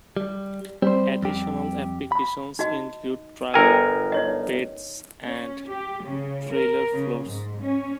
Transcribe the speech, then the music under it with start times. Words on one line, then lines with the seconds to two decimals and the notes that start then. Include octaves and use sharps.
Additional applications include truck beds and trailer floors.
0.17 G3
0.82 G3 C4 G4 C5
1.23 F2 G4
2.12 B5
2.59 D#4 F#4 D#5
3.54 G1 A#4 G5 G#5 E6
4.12 D#4 C#5 D#5
5.25 C#4
5.70 G4
6.04 C#3
6.52 A#4
6.93 C#3
7.25 G#2
7.62 C#4